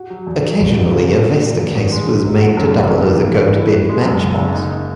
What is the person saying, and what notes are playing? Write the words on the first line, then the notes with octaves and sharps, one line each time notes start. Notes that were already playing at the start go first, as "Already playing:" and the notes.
Occasionally a vesta case was made to double as a go-to-bed matchbox.
Already playing: F#4
F#3
E2
F#3
G#1
F#3
C#3
C#3
A#2
F#3
E2
D#3
G#3
G#3
F#3
F#4
F#2
F#1
F#2
E3
A#3
C#4
E4
B4
G#3
F#2
F#1
F#1
D#4
D#4